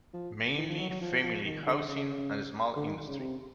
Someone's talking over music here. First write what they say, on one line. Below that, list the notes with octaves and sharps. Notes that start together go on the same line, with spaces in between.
Mainly family housing and small industry.
F3
E3
F3
F#3
F#3
F3
F3
D#3
D3
C#3
D3
D#3
C#3
C3